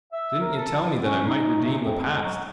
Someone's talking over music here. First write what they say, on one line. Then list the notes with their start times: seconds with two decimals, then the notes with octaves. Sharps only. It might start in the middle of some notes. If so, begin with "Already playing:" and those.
Didn't ye tell me that I might redeem the past?
0.12 E5
0.41 A#4
0.57 A4
0.84 G2
1.01 C#4
1.26 D#4
1.63 C3
1.84 F2
2.03 G#3
2.23 F#3